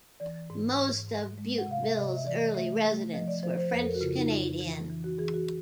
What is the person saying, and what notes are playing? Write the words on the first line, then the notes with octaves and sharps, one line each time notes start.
Most of Butteville's early residents were French-Canadian.
E3 D5
G#2
G#2
G#2
G#3
F#5
C3 F5
E5
C3 D#5
E5
E3 D5
D#5
A3 E5
A3
F3 D#5
D5
F3 C5
C5
F2 B4
A4
A#4
F#4
C#3 F4
D#4
F2 F4
E3
E3
F#4
E3 G#4
F#4